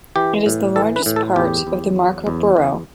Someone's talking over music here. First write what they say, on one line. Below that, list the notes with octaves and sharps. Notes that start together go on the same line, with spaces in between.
It is the largest part of the Marka borough.
E3 G4
A2
E3 A4
B4
A2
A4
E2 G4
E2
F#3
E2
E2